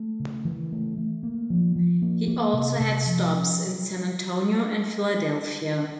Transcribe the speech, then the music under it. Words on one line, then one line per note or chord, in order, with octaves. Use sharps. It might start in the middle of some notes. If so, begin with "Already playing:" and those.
He also had stops in San Antonio and Philadelphia.
Already playing: A3
C#3
E3
A3
A3
A#3
F3
F3
A#3
A#3
C3
C3
F3
C#4